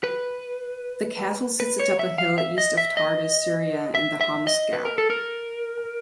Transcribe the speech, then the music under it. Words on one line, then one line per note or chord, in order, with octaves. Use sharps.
The castle sits atop a hill east of Tartus, Syria, in the Homs Gap.
B4
B4
C#5
E5
F5
E5
D#5
E5
D#5
E5
E5
D#5
B4
A#4
A4
A#4